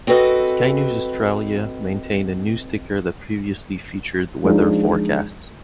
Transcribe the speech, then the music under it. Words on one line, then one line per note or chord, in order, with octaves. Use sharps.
Sky News Australia maintained a news ticker that previously featured weather forecasts.
C4 F#4 A4 B4 D#5
F3 G#3 D4 D#4